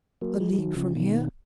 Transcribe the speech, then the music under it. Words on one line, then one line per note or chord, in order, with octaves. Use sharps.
"A league from here."
F#3 A#3
F3 G#3
G#3
D#3 F#3
C#3 F3
B2 D#3